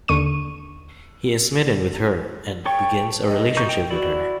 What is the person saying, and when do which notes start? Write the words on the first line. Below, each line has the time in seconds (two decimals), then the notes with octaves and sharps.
He is smitten with her and begins a relationship with her.
0.08 D#2 D3 C#6 D#7
2.66 A4 C#5 G5 C#6
3.27 D#5
3.57 D#4 C#6 G6
3.69 G5
3.90 E4 F#4 D5